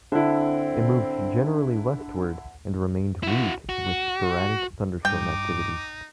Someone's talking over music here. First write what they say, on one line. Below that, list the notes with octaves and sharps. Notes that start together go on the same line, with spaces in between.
It moved generally westward, and remained weak with sporadic thunderstorm activity.
D3 C4 D4 E4
E4 F#4
F#4
G2 D#4 G5 D6